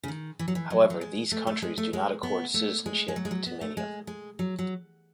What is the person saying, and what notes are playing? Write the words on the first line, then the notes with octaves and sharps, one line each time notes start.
However these countries do not accord citizenship to many of them.
C#3
D#3
E3
F#3
E3
F#3
F#3
G#3
A3
A3
G#3
A3
G#3
B3
A3
G#3
G#3
F#3
G#3
F#3
B3
A3
G#3
G#3
F#3
F#3